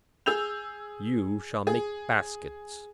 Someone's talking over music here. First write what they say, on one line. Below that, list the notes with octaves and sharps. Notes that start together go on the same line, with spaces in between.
You shall make baskets.'
G#4 E6 G6 F7
G#4